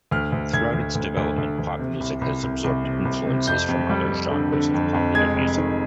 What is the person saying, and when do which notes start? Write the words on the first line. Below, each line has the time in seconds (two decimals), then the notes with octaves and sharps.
Throughout its development, pop music has absorbed influences from other genres of popular music.
0.11 D2 F6
0.32 D2
0.53 D2 G#6
0.74 D2
0.95 D2
1.17 D2
1.38 D2
1.59 D2
1.80 C3
2.00 C2
2.21 C2
2.43 C2
2.64 C2
2.84 C3
3.05 C2
3.27 C3
3.47 F2 G6
3.69 F2
3.90 G3
4.10 F2
4.31 D3
4.52 D3
4.74 F2
4.94 F2
5.15 G#3 G#6
5.36 F1
5.57 D#3